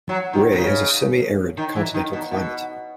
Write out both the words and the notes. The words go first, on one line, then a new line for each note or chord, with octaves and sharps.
Wray has a semi-arid continental climate.
F#3
D#3
B2
C#3
D#3
E3
D#3
B2
B2